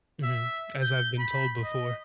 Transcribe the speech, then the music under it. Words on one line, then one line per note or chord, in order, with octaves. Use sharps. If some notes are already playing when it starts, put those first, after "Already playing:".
Mhm. As I've been told before.
E5
G6
B5
D#5